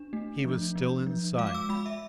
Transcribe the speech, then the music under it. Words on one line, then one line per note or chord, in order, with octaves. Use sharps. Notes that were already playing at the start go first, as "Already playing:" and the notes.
He was still in sight.
Already playing: D4
A3
F3
F3
F3
G#3 F5
D6
E6
G#3 B5
E5